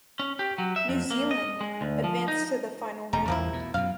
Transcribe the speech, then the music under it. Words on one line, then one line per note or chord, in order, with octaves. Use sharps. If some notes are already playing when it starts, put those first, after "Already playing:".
"New Zealand" advanced to the Final Round.
C#4
G4
F#3
E5
F2
A#3
D#5
G#3
D2
F3
D#4
E1 G3 A3 A#5
A1 E2 F3 A#3 E4
B2
F#2 B2 F5